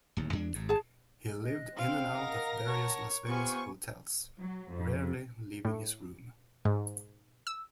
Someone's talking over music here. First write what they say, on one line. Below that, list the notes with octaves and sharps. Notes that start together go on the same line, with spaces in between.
He lived in and out of various Las Vegas hotels, rarely leaving his room.
D1 D#2
E2 G#3 D4
G#1 G#2
G#4 A5
D#5 F#6
C4 F5 C6
A#4 D#5 F#5 D#6 A#6
C#5 F#5 A5
B3 F4 G4 C5 G#5 C#6
F#3
F2
A2
G#2
E6